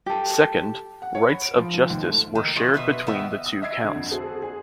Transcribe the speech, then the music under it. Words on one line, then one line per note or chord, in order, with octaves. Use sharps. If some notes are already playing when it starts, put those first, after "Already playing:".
Second, rights of justice were shared between the two counts.
G4 A4
F#5
C#5
B5
D7
F3
F3
D#2
A3
D#3
D#3 F3 A3
B2 B4 E5
D#3 B3 E5
D#6
D#5 E5 E6 G#6 C7 D7
D3 F#5
F2
C4 F#4 G#4 A4
G#4 G#5